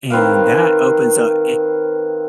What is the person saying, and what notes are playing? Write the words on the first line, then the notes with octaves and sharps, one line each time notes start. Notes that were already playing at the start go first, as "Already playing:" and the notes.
And, that opens up eh
D#3 C4 B4 F5